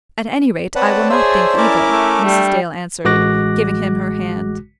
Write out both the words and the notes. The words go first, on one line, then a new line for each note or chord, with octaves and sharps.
"At any rate I will not think evil," Mrs. Dale answered, giving him her hand.
C4 B4 C#5 D5 F#5 A5
G#4 C5 E5 E6
C#4 E4 A#4 D6
A3
G3 D4
A1 G#3 F#4 D6 F#6 A#6